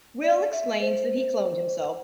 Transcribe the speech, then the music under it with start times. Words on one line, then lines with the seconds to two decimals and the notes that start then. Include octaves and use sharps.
Will explains that he cloned himself.
0.23 D5
0.53 E5
0.81 C5